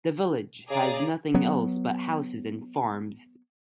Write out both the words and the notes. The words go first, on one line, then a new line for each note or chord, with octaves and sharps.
The village has nothing else but houses and farms.
C#3 G#4 D5 A#5
F#3 B3